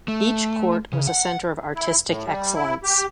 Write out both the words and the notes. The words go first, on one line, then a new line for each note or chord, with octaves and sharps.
Each court was a center of artistic excellence.
A3
C#3
F#5
E4
A2
G3
E4
G4